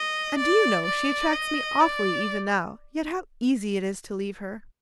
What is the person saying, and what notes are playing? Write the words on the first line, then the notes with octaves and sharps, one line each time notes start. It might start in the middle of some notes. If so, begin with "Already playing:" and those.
And do you know she attracts me awfully even now, yet how easy it is to leave her.
Already playing: D#5
D5
D5
D#5
D5